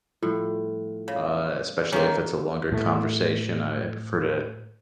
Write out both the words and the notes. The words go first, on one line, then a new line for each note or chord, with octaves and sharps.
uh, especially if it's a longer conversation, I I prefer to
A2 F3 G3 F4
C#3
D#3 A#3 C4 C#4
A2 A3